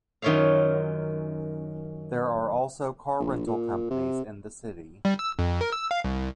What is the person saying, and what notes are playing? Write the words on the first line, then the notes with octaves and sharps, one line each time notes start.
There are also car rental companies in the city.
F#2 D#3 F4 C#5 E5 F5
A#1
A#2
C3
G3
E6
F2
A#4
E6
F5
C2